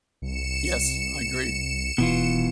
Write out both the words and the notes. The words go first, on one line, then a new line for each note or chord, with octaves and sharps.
Yes, I agree.
C2 C#7 E7
D#1 B2 E3 F4